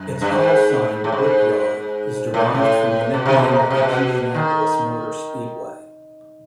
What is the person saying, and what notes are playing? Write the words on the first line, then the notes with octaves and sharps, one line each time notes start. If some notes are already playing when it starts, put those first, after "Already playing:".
Its call sign "Brickyard" is derived from the nickname of the Indianapolis Motor Speedway.
Already playing: F#2
G2
G#2
A2
G#2
A2
A#2
A2
B2
C3
B2
C3
B2
C3
B2
D#3